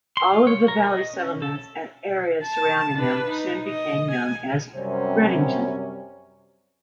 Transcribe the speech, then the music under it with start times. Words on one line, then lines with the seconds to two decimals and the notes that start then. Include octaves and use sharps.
All of the valley settlements and area surrounding them soon became known as Redington.
0.17 C6
0.33 F4
0.47 C#5
0.68 A#4
0.87 D#5
1.13 C#4
1.42 A4
2.43 A5
2.96 D4 B4
3.28 D#4
3.66 D#5
4.11 G#5
4.76 F#2 C3 G3 C4 C#4